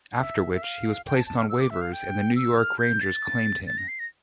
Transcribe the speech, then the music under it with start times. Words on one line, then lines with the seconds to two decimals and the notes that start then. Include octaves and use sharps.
After which he was placed on waivers and the New York Rangers claimed him.
0.18 E5
0.54 E5
0.62 F5
1.06 G5
1.16 A5
1.27 A5
1.38 F6
1.49 E6
1.60 D6
1.70 E5
1.81 F5
1.93 G5
2.36 E6
2.58 F6
2.79 G6
3.01 A6
3.67 A6
3.78 A#6
3.88 C7
3.99 A#6